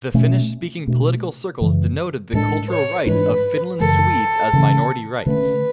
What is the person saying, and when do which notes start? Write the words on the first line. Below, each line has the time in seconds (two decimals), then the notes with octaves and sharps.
The Finnish-speaking political circles denoted the cultural rights of Finland-Swedes as minority rights.
0.14 B2 A3 C#4
0.87 B2 A3 D4
1.61 F#2 C#3 E3 G#3
2.33 A2 G#3 D4 A4
2.70 C#5
3.06 G#2 E3 G#3 D4 B4
3.80 F#2 C#3 E3 G#3 A4
4.53 C#3 E3 G#3 C#4
5.26 D3 A3 C#4 B4